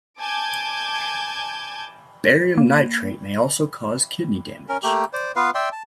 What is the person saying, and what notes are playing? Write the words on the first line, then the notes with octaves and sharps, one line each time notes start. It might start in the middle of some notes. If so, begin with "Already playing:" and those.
Barium nitrate may also cause kidney damage.
G#5 A5 D6 G6 G#6
A#3
C#4 A#4
A3 A#3 G4
C5 D5
B3 F4 B4 F5
D5 E5 G5 C6
A5